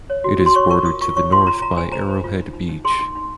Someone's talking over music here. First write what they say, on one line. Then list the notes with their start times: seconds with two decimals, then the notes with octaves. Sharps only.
It is bordered to the north by Arrowhead Beach.
0.10 C#5
0.24 F#4
0.40 F#4
0.46 C6
0.55 C#5 C#6
0.70 A#4 C#6
0.85 F4 D#6
1.01 F4 C#6
1.16 C#5 C#6
1.32 F4 C6
1.46 F4 A#5
1.62 F4 A#5
1.77 C5 G#5
1.92 C5 A#5
2.09 C5
2.24 F4
2.39 D#4
2.54 D#4
2.69 D#4
2.85 G#4 C6
2.99 D#4
3.15 D#4